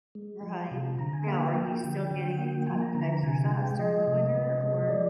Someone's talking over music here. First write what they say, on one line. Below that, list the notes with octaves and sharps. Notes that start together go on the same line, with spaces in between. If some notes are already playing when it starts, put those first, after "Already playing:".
Right. Now are you still getting any type of exercise during the winter? Or
G#3
F3
C3
D3 A#5
G#5
A#3 F5
G5
F3
D3
D3
A#3
F3 G#5
A#5
D3 A#5
A#5
C3 G#5
G#3 G5
F3 D#5
C3
C3
G#3
F3 D5